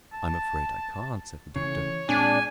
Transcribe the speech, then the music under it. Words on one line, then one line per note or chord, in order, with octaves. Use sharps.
"I am afraid I can't," said the Doctor.
A5
C#3 E3 A3 C#5
A#2 G#3 C4 D4 G#5